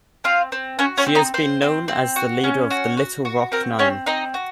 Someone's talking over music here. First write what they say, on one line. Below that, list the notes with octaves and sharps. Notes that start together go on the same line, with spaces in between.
She has been known as the leader of the Little Rock Nine.
C4 F4 F5
C4
C#4 F#4 C#5
C#4 C#5
C4
D#4 D#5
C4 C5
C4
C4
F#4
C#4
F#4
F#4
F#4
C4 A#4
C4 C#4 C#5
C4 D#4 D#5
F#4